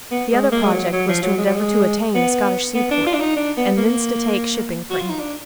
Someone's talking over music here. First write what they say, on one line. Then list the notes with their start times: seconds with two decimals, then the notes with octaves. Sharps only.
The other project was to endeavour to attain a Scottish seaport, and thence to take shipping for England.
0.11 B3
0.32 G#3
0.52 A#3
0.63 G#3
0.73 F#3
0.93 F#3
1.08 F3
1.23 F#3
1.38 G#3
1.46 F#3
1.54 G#3
2.15 B3
2.75 B3
2.91 D4
3.06 F4
3.14 D4
3.21 D#4
3.36 D4
3.57 B3
3.77 A#3
4.90 F#4
5.00 F4
5.09 D#4
5.19 D4